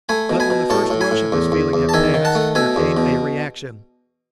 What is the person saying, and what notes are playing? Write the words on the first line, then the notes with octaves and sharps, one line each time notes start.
But when the first rush of this feeling had passed there came a reaction.
A3 G#5 B5
B2
G#5 B5
B2
A2 A5 C#6
A2
G#5 B5
A2
E2
E2
E2
A5
D#3 E5 G#5
D#3
F#5 A5
A3
B2 E5 G#5
E2
B2